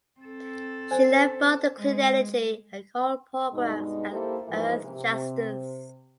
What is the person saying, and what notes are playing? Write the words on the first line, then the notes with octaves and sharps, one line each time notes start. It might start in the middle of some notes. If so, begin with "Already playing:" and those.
She led both the clean energy and coal programs at Earthjustice.
C4 A4
C5 D5 G#5
G#3
G2 B2 G#3 D#4
A#3 E4 G4 A4 C5
G#2 E3 F3 G#3 A#3
C3